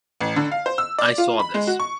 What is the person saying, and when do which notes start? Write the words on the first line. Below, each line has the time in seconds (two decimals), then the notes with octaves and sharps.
I saw this.
0.21 A1
0.36 D3
0.51 F5
0.66 C5
0.78 E6
0.99 D5
1.18 F4
1.40 B5
1.54 G#3
1.67 F#4
1.80 C#6